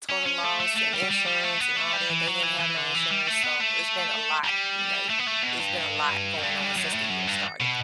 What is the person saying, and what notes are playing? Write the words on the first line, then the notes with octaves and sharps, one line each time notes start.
total loss and insurance, and all that. They didn't have no insurance, so it's been a lot, n like, it's been a lot going on since the year started,
C#4
C#4
A3
A3
A3
G3
G3
G3
A3
B3
A3
G3
E3
F#3
E3
E3
D3
E3
G3
A3
B3
A3
G3
A3
B3
A3
B2
G2
F#2
G2
G2
F#2
A2
F#2
G2
B2